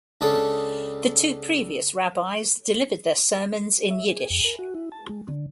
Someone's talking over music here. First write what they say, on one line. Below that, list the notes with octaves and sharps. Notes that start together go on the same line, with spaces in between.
The two previous rabbis delivered their sermons in Yiddish.
C#2 C#3 D4 A4
E5
G#4
F2
A#4
F#4
E4
A5
G#3
D3